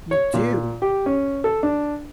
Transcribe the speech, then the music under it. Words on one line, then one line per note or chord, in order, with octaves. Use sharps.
You do.
C#5
A#2
G4
C#4
A4
D4